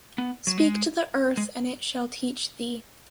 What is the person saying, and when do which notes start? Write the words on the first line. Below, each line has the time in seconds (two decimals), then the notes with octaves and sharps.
Speak to the earth and it shall teach thee.
0.18 B3
0.47 F#3
0.58 G#3
1.37 G#3